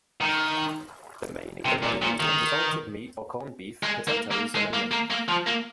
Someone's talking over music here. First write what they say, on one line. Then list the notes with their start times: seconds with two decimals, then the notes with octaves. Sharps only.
The main ingredients are salted meat or corned beef, potatoes, and onion.
0.21 D#3
1.66 C3
1.83 A#2
2.02 A#2
2.20 D#3
3.83 G#3
4.08 A#3
4.31 A#3
4.55 G#3
4.73 A#3
4.91 A#3
5.10 A#3
5.28 F3
5.47 A#3